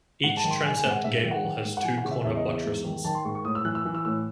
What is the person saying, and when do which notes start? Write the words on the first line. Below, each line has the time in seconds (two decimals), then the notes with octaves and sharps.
Each transept gable has two corner buttresses.
0.24 G#2 F#5
0.37 A5
0.44 D#3
0.51 C6
0.64 D#3 G#5
0.77 G#5
0.84 G#2
0.90 F#5
1.04 G#2 E5
1.18 E5
1.24 D#3
1.31 F#5
1.44 D#3
1.64 G#2
1.77 F#5
1.84 E3 G#5
1.98 F#5
2.05 C#3
2.11 E5
2.25 E2 E5
2.37 D#5
2.45 E2
2.51 E5
2.65 G#2
2.85 D#3
3.04 D#3 A5
3.15 C6
3.25 G#2 C#6
3.35 C#6
3.45 A2 D#6
3.55 E6
3.65 E3 F#6
3.75 E6
3.85 E3
3.95 E6
4.05 A2 E6